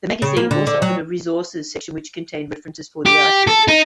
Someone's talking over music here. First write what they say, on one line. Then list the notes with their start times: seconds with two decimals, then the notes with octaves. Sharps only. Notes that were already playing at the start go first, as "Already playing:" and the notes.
The magazine also offered a "Resources" section which contained references for the articles.
0.22 C#3
0.37 A#3
0.51 D3
0.67 D3
0.82 F#3
3.06 G4
3.47 A4
3.68 D#4